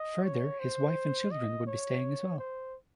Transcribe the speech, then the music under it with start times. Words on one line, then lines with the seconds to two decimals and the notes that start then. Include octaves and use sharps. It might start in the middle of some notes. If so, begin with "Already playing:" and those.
Further, his wife and children would be staying, as well.
Already playing: D#5
0.23 C#5
0.60 C5
1.31 D#5
1.67 C#5
2.38 C5